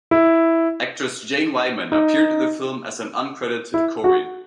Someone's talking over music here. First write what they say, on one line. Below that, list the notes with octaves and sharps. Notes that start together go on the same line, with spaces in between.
Actress Jane Wyman appeared in the film as an uncredited chorine.
E4
D#4
E4
F#4